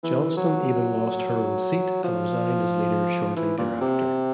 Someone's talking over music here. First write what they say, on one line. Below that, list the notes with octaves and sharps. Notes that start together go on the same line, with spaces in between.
Johnston even lost her own seat and resigned as leader shortly thereafter.
E3
F#3
F3
E3
A#2
C3